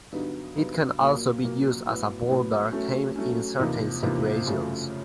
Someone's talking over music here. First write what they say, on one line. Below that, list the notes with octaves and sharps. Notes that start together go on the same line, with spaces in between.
It can also be used as a border came in certain situations.
G2 D3 F#3 B3 D#4
G2 D3 F#3 B3 D#4
A#2 F#3 A#3
A#2 F#3 A#3
A2 F#3 B3
A2 F#3 B3
F#3 A3 C#4
F#3 A3 C#4
E2 C3 F3 A#3 D#4
E2 C3 F3 A#3 D#4
F#2 C#3 F3 A3